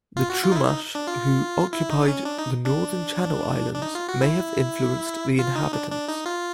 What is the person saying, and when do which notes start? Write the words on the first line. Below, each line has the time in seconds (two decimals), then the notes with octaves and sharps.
The Chumash, who occupied the northern Channel Islands, may have influenced the inhabitants.
0.17 F4
0.30 F#4
0.43 F4
0.52 D#4
0.56 E4
0.69 D#4
0.95 D4
1.07 F4
1.73 E4
1.90 D#4
2.08 C#4
2.25 D4
2.38 D#4
2.65 D4
3.74 D4
3.82 D#4
3.95 F4
4.09 F#4
4.21 E4
5.39 F4
5.55 D#4
5.73 D4
5.91 D4
6.08 D#4
6.26 F4